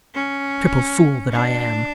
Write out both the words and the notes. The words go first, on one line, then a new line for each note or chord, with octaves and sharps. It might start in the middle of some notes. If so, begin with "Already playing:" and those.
Triple fool that I am!
C#4
D4